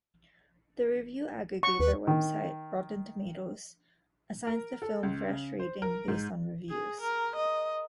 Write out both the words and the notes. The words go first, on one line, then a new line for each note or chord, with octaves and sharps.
The review aggregator website Rotten Tomatoes assigns the film fresh rating based on reviews.
C#6
D#2 B4
D#3
A#4
A4
C#2
C#3
C5
A#4
G#2
G#4
A#4
D#5